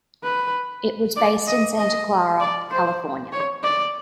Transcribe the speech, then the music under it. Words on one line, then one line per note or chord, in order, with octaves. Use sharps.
It was based in Santa Clara, California.
B4
D5
D#5
D#5
D5
C5
C#5
D5